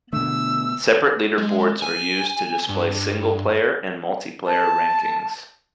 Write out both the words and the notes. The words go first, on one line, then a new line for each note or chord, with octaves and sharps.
Separate leaderboards are used to display single player and multiplayer rankings.
B2 D3 A3 E6
G#3
G#5
G2
A5